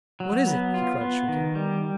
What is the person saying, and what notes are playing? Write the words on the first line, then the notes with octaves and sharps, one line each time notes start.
"What is it?" he cried, shrinking.
F#3
B3
F4
B3
D#3
G3